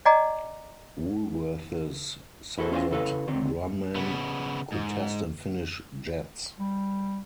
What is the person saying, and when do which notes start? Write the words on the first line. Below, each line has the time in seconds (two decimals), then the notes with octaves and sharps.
Woolworth's, so that Grumman could test and finish jets.
0.05 D5 D#5 F#5 G#5 A#5 D6
2.58 E4 F#4 A4 A#4 C5
2.72 C#4 F4 C5 E5 F5 G#5
2.91 C#3 E4 A4 B4 F5
3.28 D3 D#3 C4 D#4
3.96 C#3 B3
4.72 G#2
6.60 G3